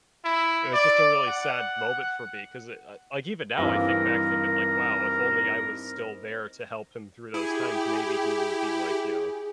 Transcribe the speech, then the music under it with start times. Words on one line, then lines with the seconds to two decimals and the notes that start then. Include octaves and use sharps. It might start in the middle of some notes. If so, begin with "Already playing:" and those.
it was just a really sad moment for me 'cause i it like, even now, I think back thinking like, "Wow if only I was still there to help him through those times, maybe he would be," like, you know,
0.25 E4
0.74 D5
1.28 F#5
3.58 G2 E3 A#3 C4 D#4 A#4
7.34 E4 G4 G#4